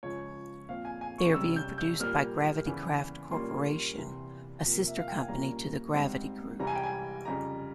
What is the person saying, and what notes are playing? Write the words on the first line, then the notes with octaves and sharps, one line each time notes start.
They are being produced by Gravitykraft Corporation, a sister company to The Gravity Group.
C#2 C#3 F3 C#5
A#2 F3 C4 F5
G#5
G#5
C#6
C3 G3 C#4 E6
G6
G6
A#2 G3 A#3 F6
E2 C#3 E3
A#2 G3 A#3 C#4 C6
E2 C3 E3
C3 F3 A#3
E5
F5
G5
G#5
A#2 G3 A#3 C#4 A#5
G#2 G3 C4
C2 C3 E3 G3 A#5
G#5
G5
G#5
F2 C#3 G3 A#5